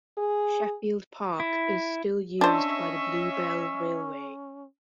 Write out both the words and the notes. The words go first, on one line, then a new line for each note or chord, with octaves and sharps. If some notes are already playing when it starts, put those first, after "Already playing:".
Sheffield Park is still used by the Bluebell Railway.
G#4
E4
C#4 D4 C5 C#5 D#5 E5